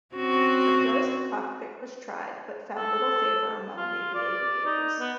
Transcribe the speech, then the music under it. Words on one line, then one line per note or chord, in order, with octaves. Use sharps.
A closed cockpit was tried but found little favor among Navy aviators.
C4 C#4 F#4
A4
F4
D5
D#4
B3